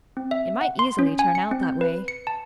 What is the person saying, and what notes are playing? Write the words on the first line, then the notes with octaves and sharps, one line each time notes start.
It might easily turn out that way.
C4
E5
F#5
C6
C#4
G#5
C#7
C4
G6
B4
C#7
A5